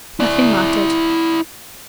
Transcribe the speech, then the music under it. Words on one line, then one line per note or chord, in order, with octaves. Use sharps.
Nothing mattered!
E4 D5